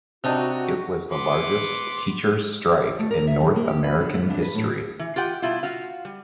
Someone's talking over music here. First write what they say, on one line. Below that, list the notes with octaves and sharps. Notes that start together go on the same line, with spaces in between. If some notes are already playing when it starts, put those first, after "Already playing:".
It was the largest teachers' strike in North American history.
C3 D4 D#4 F#4
B3 C6 D6
A3
A#4
E5
F#2
A#3
G4
B4
D3
B3
D4
B4
A2
E3
F4 G4 F#5 G5
B2 G3 E4 F4
F4 F#4 F5
G3